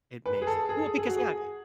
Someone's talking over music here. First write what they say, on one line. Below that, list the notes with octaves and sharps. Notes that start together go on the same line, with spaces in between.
it makes it well, because, yeah it
B4
G#4
A4
G#4
A4
G#4
G#4
F#4
G#4